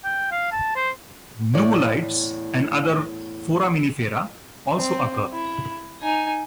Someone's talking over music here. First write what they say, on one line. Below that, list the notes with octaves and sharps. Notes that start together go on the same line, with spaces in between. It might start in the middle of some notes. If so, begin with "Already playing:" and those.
Nummulites and other foraminifera also occur.
G5
F5
A5
C5
E2 A2 D5
C4
E4
D#4 G#5